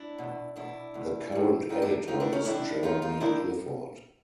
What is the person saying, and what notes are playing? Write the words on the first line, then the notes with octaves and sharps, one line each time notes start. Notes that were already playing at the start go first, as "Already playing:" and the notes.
The current editor is Jeremy Clifford.
Already playing: D4 E4
E2 B2
E2 B2 D4 E4
E2 B2
A2 E3
A2 E3 D#4 F4
D4 E4
A2 E3 D#4 F4
D4 E4
C#4 D#4
A2 E3 D4 E4
F#2 D#3 D#4 F4
D#4 F4
D#3 D4 E4